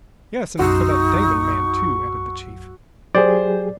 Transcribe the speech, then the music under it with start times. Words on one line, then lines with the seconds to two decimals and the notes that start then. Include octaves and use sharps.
"Yes, and for that Damon man, too," added the chief.
0.59 B1 F#2 D#4 F#4 C6 E6
0.90 C#6
3.15 F#3 G4 G#4 C5 D5